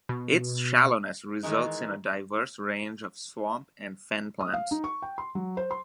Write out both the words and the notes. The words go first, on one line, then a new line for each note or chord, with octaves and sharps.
Its shallowness results in a diverse range of swamp and fen plants.
B2
D#3 E3 G#3 D#4
D#6
F5
D#4
C#6
G5
C6
F#3
C5
C6